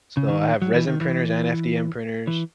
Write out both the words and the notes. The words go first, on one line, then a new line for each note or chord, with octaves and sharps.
So, I have resin printers and FDM printers.
C#3
D#3
F#3
E3
D#3
E3
E3